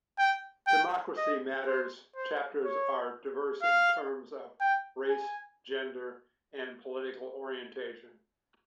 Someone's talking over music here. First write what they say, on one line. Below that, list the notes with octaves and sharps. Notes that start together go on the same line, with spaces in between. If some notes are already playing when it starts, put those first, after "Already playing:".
Democracy Matters chapters are diverse in terms of race, gender, and political orientation.
G5
G5
D#5
C5
C5
C#5
F5
G5
G#5